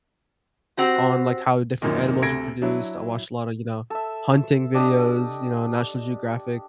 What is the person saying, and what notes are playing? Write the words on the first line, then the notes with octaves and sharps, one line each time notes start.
on, like, how different animals were produced, I watched a lotta, you know, hunting videos, you know, National Geographic,
C4 F#4 G4
F#2 A#2 D#3
D2 C3 A4 G#6 A#6 D7
F#3 D4 E4
A4 E5
D4 G4 D#5